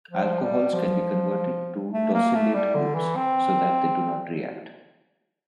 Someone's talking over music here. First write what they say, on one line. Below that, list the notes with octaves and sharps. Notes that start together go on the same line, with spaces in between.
Alcohols can be converted to tosylate groups so that they do not react.
F3
G3
F3
A3
A#3
A3
G3
D3
E3
C4